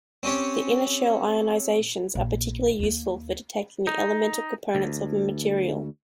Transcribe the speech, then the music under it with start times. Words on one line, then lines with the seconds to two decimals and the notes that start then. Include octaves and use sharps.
The inner-shell ionizations are particularly useful for detecting the elemental components of a material.
0.23 C4 C#4 G4 C#5
2.15 A#1
2.79 D#2 A#3
3.87 D#4
4.75 D2